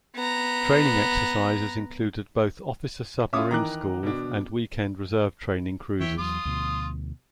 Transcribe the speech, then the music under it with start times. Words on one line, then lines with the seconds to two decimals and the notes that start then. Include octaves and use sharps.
Training exercises included both officer submarine school and weekend reserve training cruises.
0.15 B3 A#5
3.33 C#4 F4 C#5 E5 D6 D#6
3.51 D#3 E3 A#5 D6 F#6
4.03 B2 D4
6.01 E3 C#5 E5 G5
6.18 E2 F#3 F4 C6 D#6
6.45 D2 B2 F3